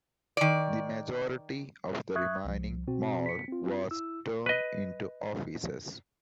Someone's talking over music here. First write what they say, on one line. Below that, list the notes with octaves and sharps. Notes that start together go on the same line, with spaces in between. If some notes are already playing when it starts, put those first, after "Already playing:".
The majority of the remaining mall was turned into offices.
D#3 D5
E5 C#6 D#6 F#6 G#6
C2 F3
B2 C4 F#4
B6 C#7
C4 F4
E4 E6
B4 D#5